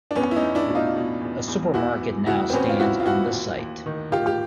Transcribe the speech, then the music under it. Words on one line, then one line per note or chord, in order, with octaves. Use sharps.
A supermarket now stands on the site.
D4
E2 B3 C#4
E4
C#4 D#4
E2
D4 E4
B2
D#4 F4
B2
E2
E2
E2 E4 F#4
E3
C#3 E4 F#4
C4
E2 B3 C#4
F4
E2 E4 F#4
F4
E3 E4 F#4
D#2
D#2
D#3
D#3 F4 G4
G4